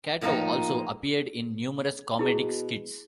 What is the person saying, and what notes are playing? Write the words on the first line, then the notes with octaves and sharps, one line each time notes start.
Kato also appeared in numerous comedic skits.
A2 F3 A#3 D4 D#4 F4
B2 E4 G#4